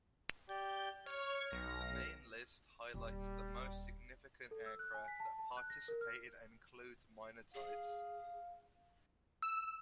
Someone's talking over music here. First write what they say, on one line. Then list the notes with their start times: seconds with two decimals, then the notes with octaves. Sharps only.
The main list highlights the most significant aircraft that participated and includes minor types.
0.49 G4 D5 G6
1.06 C#5 C#6 F6
1.51 B1 A#6
2.94 D#1 G3
4.51 A4
4.66 E6
4.79 F#6
4.94 G#5
5.08 B6
5.20 A5
5.39 A5
5.57 F#6
5.70 A#6
5.88 A#4
6.01 F6
7.54 G#4 F5
9.42 E6